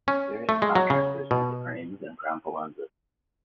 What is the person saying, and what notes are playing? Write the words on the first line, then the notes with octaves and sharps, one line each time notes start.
Various contractors made the frames and ground the lenses.
C#4
A3
G#3
F#3
C#3
B2